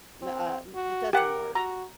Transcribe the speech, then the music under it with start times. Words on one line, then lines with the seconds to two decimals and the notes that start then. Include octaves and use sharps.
ma uh, m it doesn't work.
0.22 C4
0.75 F#4
1.13 G4 A#4 F#5
1.55 F#4 A#5